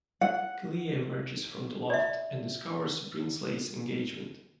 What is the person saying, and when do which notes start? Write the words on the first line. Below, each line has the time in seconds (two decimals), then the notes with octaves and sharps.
Clea emerges from the loft, and discovers Brindsley's engagement.
0.21 F#5
1.90 D5 E5